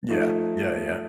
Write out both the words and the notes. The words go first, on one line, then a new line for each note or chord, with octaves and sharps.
Yeah. Yeah, yeah.
F3 A3 D#4